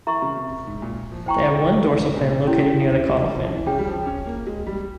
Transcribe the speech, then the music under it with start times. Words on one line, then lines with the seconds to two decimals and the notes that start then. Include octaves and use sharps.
They have one dorsal fin located near the caudal fin.
0.06 E3 A#4 E5 A#5 C#6
0.22 C#3
0.37 C3
0.67 G#2
0.82 A#2
1.11 F3
1.26 E3 C5 G5 A#5 C#6
1.46 E3
1.66 F3
1.86 E3
2.02 G#2
2.16 A#2
2.32 A#2
2.47 C#3 C#4 E4 G4 A#4
2.76 E3
3.07 G3
3.14 F3
3.21 G3
3.37 F3
3.52 E3
3.66 C#3 G#4 C#5 G5
3.79 G3
3.87 F3
4.06 C#4
4.27 A#3
4.47 G#3
4.66 G3